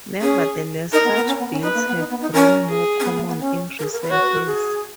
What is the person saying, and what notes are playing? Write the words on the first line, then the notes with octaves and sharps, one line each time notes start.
Nevertheless, such bills have grown more common in recent years.
C#4 G#4
D#4 A#4
B3
B3
C#4
B3
C#4
D#4 B4
A#3
B3
D#4
B3
D#4
C#4 A#4
G#4
C#4
B3
A#3
B3
C#4
A#4
G#4
A#4
B4
F#4 C#5
B4
A#4
G#4